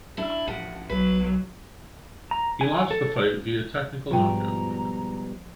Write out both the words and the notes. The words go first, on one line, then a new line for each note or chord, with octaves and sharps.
He lost the fight via technical knockout.
D4 E4
A1 F3 F#5
B1 F#3 B4
A#5
G#5
A4
G#2 B2 F3 G3 F4 G5 A#5